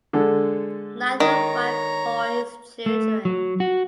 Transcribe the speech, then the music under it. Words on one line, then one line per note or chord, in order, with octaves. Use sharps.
Neither wife bore his children.
D3 G#3 A4
D#3 C#5 A#5
A3
F#3
F#4